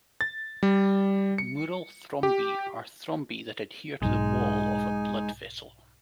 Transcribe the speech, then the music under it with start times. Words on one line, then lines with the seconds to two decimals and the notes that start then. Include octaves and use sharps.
Mural thrombi are thrombi that adhere to the wall of a blood vessel.
0.21 A6
0.63 G3
1.38 C#7
2.23 G4
4.02 B1 G#2 G#3 D#4 G#5